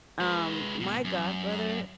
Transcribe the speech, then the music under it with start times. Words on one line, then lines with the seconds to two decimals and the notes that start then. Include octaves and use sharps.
um, my godbrother
0.21 G#3 B4
0.80 G#2 B2
1.05 F#2